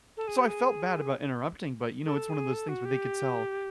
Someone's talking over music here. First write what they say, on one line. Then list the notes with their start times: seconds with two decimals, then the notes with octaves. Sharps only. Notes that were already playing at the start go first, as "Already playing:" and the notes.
so, I felt bad about interrupting, but, you know, it's one of those things where they could tell,
0.17 A4
0.27 G#4
0.38 G4
0.48 G#4
2.06 A4
2.30 G#4
2.54 A4
2.69 F#4
2.85 G4